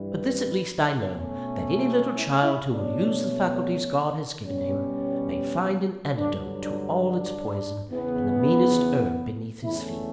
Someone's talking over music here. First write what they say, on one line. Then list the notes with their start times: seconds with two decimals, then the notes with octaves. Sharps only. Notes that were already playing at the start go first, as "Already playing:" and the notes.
But this at least I know: that any little child, who will use the faculties God has given him, may find an antidote to all its poison in the meanest herb beneath his feet.
Already playing: G2 E3 G3
0.12 B4
0.99 B2 A3 C#4
1.85 F#4
2.14 E4
2.42 E4
2.71 B2 A3 C#4 D4
4.45 B2 G3 C#4
6.17 G2 D3 F#3 D4
6.61 D4
7.04 D4
7.90 E2 C#3 E3 B3
9.63 E2 D3 A3 C#4 E4